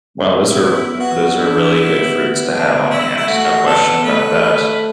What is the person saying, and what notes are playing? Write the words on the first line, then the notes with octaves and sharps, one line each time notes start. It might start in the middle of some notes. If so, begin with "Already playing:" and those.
Well, those are those are really good fruits to have on hands, no question about that.
B3
E4
E4
B3 F#4
D4 E4
B3
D4
E4
E4
A3 F#4
B3 A4
A3 B4